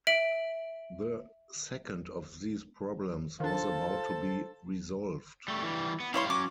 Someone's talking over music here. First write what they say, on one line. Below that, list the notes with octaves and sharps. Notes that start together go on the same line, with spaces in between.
The second of these problems was about to be resolved.
E5 D7 F#7
D#3 D4 F4 A4 C5 A5
G3 A3
E3 G3
B3
G3 E4 C#5 F5 C6
F#3 C#4 D6